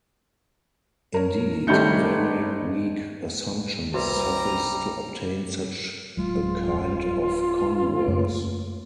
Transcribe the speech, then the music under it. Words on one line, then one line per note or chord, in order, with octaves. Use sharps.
Indeed, very weak assumptions suffice to obtain such a kind of converse.
A#4 C#5
G#1 G3 A3 D#4 G6 C#7
C2 G3 F#4 B4 A#5
D1 F#3 G#3 F4
F#2 A3 A#3